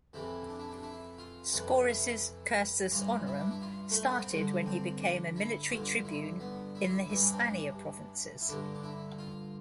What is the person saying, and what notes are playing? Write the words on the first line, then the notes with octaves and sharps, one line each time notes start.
Scaurus' "cursus honorum" started when he became a military tribune in the Hispania provinces.
F2 C3 E3 E4
D4
E4
D4
E4
F4
F2 C3 E3
E4
G2 E3 F4
E4
D4
E4
F4
A3
B3
C4
G2 D3 D4
C4
D4
E4
G2 D3 F4
E4
B3
E4
F4
E4
G2 E3 E4
D4
C4
D4
E4
G2 D3 D4
D4
E4
F4